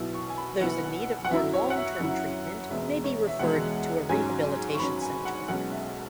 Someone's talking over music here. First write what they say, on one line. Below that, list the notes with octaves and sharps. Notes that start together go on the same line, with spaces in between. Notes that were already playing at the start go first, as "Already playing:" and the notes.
Those in need of more long-term treatment may be referred to a rehabilitation center.
Already playing: B1 B2 B3 E4
C#6
G#5
B5
B1 B2 B3 E4 F#5
F#5
F#2 F#3 E4 E5
C#5
F#5
E5
F#2 F#3 E4
E1 E2 B2 G#3 E5
C#5
E5
E1 E2 B2 G#3 F#5
G#2 F#3 C#4 G#5
C#6
G#2 F#3 C#4 B5
G#5
F#5
B1 B2 G#3 C#4 F#5
E5